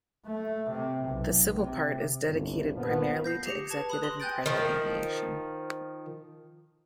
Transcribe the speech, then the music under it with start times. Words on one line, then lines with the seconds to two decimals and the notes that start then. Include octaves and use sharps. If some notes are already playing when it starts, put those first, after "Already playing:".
The civil part is dedicated primarily to executive and private aviation.
0.26 A3
0.71 C3
1.09 B1
1.48 C3
2.26 G1 C2
2.74 G1 A#2 F3 B3
3.24 G6 A#6 C7
3.46 G4 G#4 A#6 C#7
3.69 B4 A5 G#6
3.90 B5 D#6 F#6
4.03 C6 D#6 A#6 F#7 G7
4.20 G5 G#5 F#6 G6 A6 D7
4.46 D#3 F3